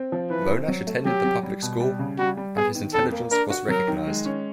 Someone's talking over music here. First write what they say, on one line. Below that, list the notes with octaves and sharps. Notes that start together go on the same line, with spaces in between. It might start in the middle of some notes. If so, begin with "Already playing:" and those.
Monash attended the public school and his intelligence was recognised.
Already playing: C4
F3
E3 B4
C4
F#3
A3
F#3 G4
F#3
G3
B2
G3
C#3
G3 F#4
G3
B3 G#4
D#3
F2 A4
A#3
D4 A#4
F#4
F#3 A#4
D#3
G#3
C#4